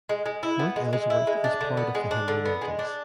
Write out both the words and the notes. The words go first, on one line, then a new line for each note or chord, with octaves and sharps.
Mount Ellsworth is part of the Henry Mountains.
G#3
G#3
E4
B3
G#3
G#3
E4
G#3
D4
D3
B3
G#3
D4
D3
B3
G#3
D4